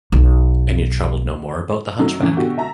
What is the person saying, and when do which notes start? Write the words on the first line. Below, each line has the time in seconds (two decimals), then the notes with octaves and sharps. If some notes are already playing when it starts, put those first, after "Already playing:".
And you troubled no more about the hunchback?
0.12 B1
1.99 F#2 C3 D#3 F#3 A3 C#4
2.19 F#2 A2 C#3 E3
2.37 B2 D3 F#4 G4
2.58 E5 A5 A#5